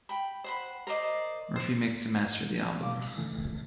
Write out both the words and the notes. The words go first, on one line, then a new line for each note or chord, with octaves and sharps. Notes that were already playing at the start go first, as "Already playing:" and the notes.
Murphy mixed and mastered the album.
G5 B5
C5 F#5 B5
A#4 C5 D5 D#5
C5
B2 G3 F5 D6
D#2 G#2 C#3 E3 A3